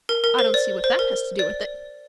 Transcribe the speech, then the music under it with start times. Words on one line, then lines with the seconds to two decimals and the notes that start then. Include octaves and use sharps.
I don't see what that has to do with it.
0.09 A#4
0.24 A#4
0.39 C5
0.54 D5
0.84 C5
0.99 A#4
1.39 D5